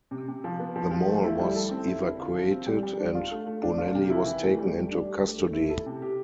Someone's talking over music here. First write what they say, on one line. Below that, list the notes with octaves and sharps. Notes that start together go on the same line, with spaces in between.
The mall was evacuated and Bonelli was taken into custody.
C3
C3
F3
B3
F3
F3
A3
E4
G3
A4
C4
E4
D3
F4
F3
C4
G3
G3
D4
F4
A3
A3
D4
F4
C3
E4
E3
A3
G3
G3
D4
G4
A3
A3
E4
A4
C3
G4